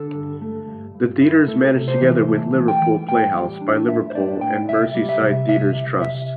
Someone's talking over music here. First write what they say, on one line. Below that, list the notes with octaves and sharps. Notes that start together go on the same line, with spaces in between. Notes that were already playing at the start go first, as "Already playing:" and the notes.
The theatre is managed together with Liverpool Playhouse by Liverpool and Merseyside Theatres Trust.
Already playing: D3 A4
G2
A3
G2
G2
E4
A3 A4
C3
C5
E3
A3
E3
G5
E3
A2 G5
G3
D4
A2 E5
C5
D4 D5
A2 G5
C2 E5
G3
E5
C3
C3 E5
C2
C3 E5